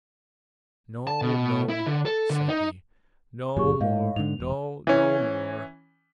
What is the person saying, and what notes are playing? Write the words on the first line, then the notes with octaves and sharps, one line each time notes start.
"No, no," said he, "no more, no, no more."
A5
B2
E4
D3
A4
D3
D#4
G1 F#2 A#2 G4 G#4 C#6
G#2 D#5 F5
G#2 D3 F7
E1
E3 C#4